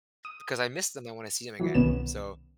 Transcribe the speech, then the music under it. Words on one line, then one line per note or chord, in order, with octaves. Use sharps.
because I miss them; I wanna see 'em again. So,
D#6
E3 F#3
C2 B2 D#3 B3 C#4 E7